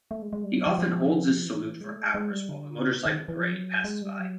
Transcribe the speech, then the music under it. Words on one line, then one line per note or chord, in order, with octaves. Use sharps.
He often holds his salute for hours while the motorcycle parade passes by.
A3
G#3
G#3
G3
F#3
F3
F3
E3
G#3
A3
G#3
G#3
G3
D3
C#3
D#3
E3
F3
F#3
G#3
G3
F#3